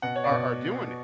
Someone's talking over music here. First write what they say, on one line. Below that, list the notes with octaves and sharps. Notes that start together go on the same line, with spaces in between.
are are doing it.
B2 F#5
C#5
D5
B2